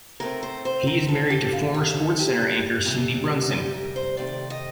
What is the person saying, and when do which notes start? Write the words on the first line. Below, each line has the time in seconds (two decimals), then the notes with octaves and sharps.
He is married to former SportsCenter anchor Cindy Brunson.
0.20 A2 A3 C4 A#4
0.43 C5
0.65 C5
0.87 A#4
1.08 A4
1.30 G4
1.52 D2 D3 A3 F4
1.74 G4
1.97 A4
2.19 G4
2.85 D2 C3 G3 D4
3.51 G4
3.74 A#4
3.96 C5
4.17 C3 D#3 A3 C4 D5
4.50 D#5